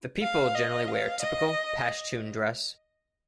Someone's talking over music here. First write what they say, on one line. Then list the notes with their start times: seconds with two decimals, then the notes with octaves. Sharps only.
The people generally wear typical pashtoon dress.
0.22 F5
0.55 D#5
0.88 F5
1.22 D#5